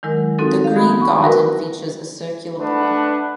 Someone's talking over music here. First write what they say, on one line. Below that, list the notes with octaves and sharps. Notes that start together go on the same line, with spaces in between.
The Green Garden features a circular pool.
D#3 F#3 G#3 E4 A#4
C4 D#4 F4 F#4 A4
G4 F5
F3 C4 F#4 B5 D#6 G#6
B5 C#6
E4 F#4 A#4 B4
A3 D4 B4 F#5